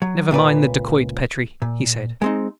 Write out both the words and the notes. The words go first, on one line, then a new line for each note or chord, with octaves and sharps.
"Never mind the dacoit, Petrie," he said.
F#3
C#2 A#2 B4 D5
A#2
G#3 C4 D#4